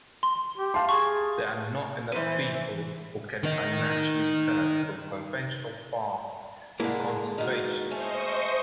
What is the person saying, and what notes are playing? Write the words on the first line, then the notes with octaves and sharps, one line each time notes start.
There are not enough people who can financially turn from conventional farming to conservation.
C6
G4
F5 A5 C6
G#4 C#6
E3 B4 C5
D#3 D#4
D3 G#3 A#3 E4 A4
B2 D#3
A3 C#4 C5 D#5 C#6